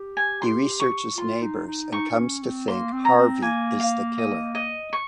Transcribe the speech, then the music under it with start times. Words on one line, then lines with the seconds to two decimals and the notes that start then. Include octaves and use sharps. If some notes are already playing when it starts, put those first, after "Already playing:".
He researches neighbors and comes to think Harvey is the killer.
Already playing: G4
0.17 G#5
0.42 C6
0.80 C#6
1.17 F4 C6
1.42 D#4
1.67 D#4
1.92 D#4 C#6
2.10 D#4
2.18 C#4
2.42 C4
2.68 A#3 C6
2.92 C4
3.05 A#5
3.17 C4
3.42 A#3 G#5
3.80 F5
4.18 D#5
4.55 D#5
4.93 C#6